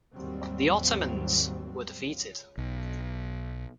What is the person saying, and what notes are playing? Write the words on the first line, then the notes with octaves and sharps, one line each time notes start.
The Ottomans were defeated.
D#2 G#2 F#3 G3 C4
B1